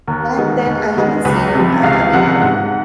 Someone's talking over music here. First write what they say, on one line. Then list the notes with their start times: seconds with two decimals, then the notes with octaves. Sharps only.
back then, I haven't seen 'em. I I mean, I don't
0.08 D#2 A#4
0.37 D#3 G#3 B3
0.67 D#2
0.96 D#3 G#3 B3
1.25 C#2 B4
1.55 C3 F3
1.83 C#2 F5
2.13 C3 F3 F#5
2.42 G#2 F#5